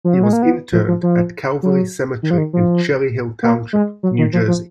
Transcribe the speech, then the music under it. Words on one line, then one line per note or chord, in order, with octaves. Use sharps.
He was interred at Calvary Cemetery in Cherry Hill Township, New Jersey.
F3
F#3
G#3
A#3
B3
F3
F3
F3
F#3
D#3
F3
D#3
F3
A#3
G#3
F#3
D#3
F3
F3